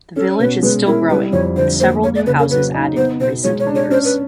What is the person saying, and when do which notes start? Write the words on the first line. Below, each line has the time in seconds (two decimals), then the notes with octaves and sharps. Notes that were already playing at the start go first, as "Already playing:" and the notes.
The village is still growing, with several new houses added in recent years.
0.16 C#4 A4
0.40 B2 B4
0.63 G#3 B4
0.86 E4 A#4
1.10 G3 B4
1.33 F2 C#5
1.56 D3 C5
1.80 A#3 C5
2.03 A#3 C#5
2.15 D5
2.26 C#3 B4
2.39 A#4
2.51 F#3 B4
2.74 D#4
2.96 B3 C5
3.20 B2 C5
3.44 G#3 C#5
3.60 C#5
3.67 D4
3.75 C#5
3.90 C#4 C5
4.05 B4